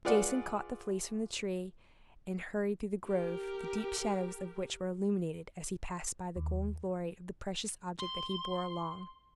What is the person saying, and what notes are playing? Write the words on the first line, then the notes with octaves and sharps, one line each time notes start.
Jason caught the fleece from the tree, and hurried through the grove, the deep shadows of which were illuminated as he passed by the golden glory of the precious object that he bore along.
F4 G#4 B4 D5 F#5
G4 A#4
D#2
C6